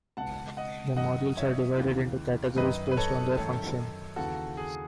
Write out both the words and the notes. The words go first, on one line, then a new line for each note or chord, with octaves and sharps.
The Modules are divided into categories, based on their function.
C#2 B2 F#5 A5
D#5 F#5
F#2 D#3 D#5 F#5
C#5 E5
D#2 C#3 E3
F#2 D#3 B4 D#5
B4
A4 C#5
F#2 D#3 A4 C#5
D#2 C#3 E3 F#4 A4
G#4